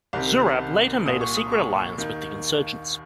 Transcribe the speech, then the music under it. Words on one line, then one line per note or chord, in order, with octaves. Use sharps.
Zurab later made a secret alliance with the insurgents.
C2 C3 D#3
C2 A#2 D#6
C#6
D#6
C#6
D#2 D#3